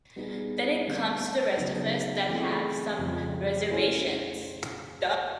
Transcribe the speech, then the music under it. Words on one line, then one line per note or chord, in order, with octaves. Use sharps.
Then it comes to the rest of us that have had some reservations.
G3 B3 D#4 G#4
D3 G3 C4
C#3 F#3 B3 D#4
E3 A3 C4 F4 G#4
F2 C#3 F3 G#3
A3 C#4 E4 G#4 C5